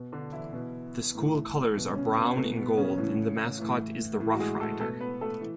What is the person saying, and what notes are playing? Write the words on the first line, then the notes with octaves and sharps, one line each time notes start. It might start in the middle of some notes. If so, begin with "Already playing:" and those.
The school colors are brown and gold and the mascot is the Roughrider.
Already playing: B2
D3 D4
E3 E4
B2
A2 E3
B2
C#3 C#4
B2 B3
B2 A3
B2 B3
C#3 C#4
A2 E3
A2 E3
A2 E3
F#4
G#3 G#4
A3 A4
B2 A3 A4
B3 B4
A3 A4
E3